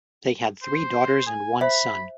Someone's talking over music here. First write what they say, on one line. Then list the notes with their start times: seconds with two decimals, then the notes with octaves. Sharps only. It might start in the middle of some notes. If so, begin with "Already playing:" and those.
They had three daughters and one son.
0.62 C5
1.26 G#5
1.61 C5 E5 B5